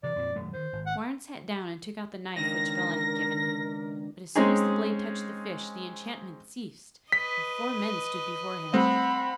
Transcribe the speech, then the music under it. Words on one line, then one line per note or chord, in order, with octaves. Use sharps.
Houarn sat down and took out the knife which Bellah had given him, but as soon as the blade touched the fish the enchantment ceased, and four men stood before him.
C3 E3 D5
F2 A#2 F3
D#1 F#2 A3
D#3 C5
G#1
F#5
C#2 D#3 D4 A#4 A#6
G#3 C4 C#4 D#4 G#4
B4 D#5 B6
G3 A3 C4 F#5 B5